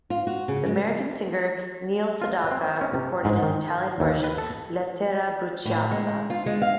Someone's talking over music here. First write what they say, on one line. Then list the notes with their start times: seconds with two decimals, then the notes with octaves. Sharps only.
The American singer Neil Sedaka recorded an Italian version, "Lettera bruciata".
0.10 F4
0.27 F#4
0.48 C#3
0.66 G#3
2.22 F4
2.51 C4
2.81 C#4
2.94 C3
3.25 G#2
3.43 D#3
4.00 D#2
4.24 B4
4.38 A4
5.65 A2
5.91 G#3
6.30 F4
6.46 G#3
6.62 F5